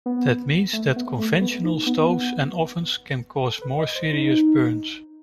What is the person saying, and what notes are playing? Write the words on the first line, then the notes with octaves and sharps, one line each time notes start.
That means that conventional stoves and ovens can cause more serious burns.
B3
A3
B3
A3
B3
D#4
B3
B3
A4
B4
D#5
C5
D#4